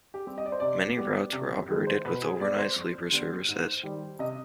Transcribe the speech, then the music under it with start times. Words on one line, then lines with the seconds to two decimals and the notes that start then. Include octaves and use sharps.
Many routes were operated with overnight sleeper services.
0.14 G4
0.26 G3 C4
0.38 D#5
0.46 D5
0.52 C5
0.60 C3 D5
0.97 G3 B3
1.33 C3
1.69 D#3 G#3
1.87 C5
2.05 B2 B4
2.23 G#4
2.40 B3 D5
2.59 C5
2.76 F2
3.12 D3 G3 B3
3.48 G#2
3.83 D#3 G3
4.19 C3 D#5